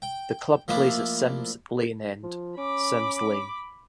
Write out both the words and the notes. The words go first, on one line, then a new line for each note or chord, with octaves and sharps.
The club plays at Simms Lane End, Simms Lane.
G5
F3 A3 A#3 D4 E4
F3
C#4 B5 D6